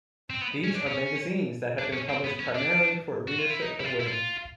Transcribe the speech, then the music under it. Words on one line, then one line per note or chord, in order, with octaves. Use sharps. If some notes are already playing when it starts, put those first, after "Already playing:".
These are magazines that have been published primarily for a readership of women.
C4
B3
C#4
D4
C#4
D4
C#4
C4
B3
C#4
D4
F#4
F4
E4
D#4
E4
F4
E4
F4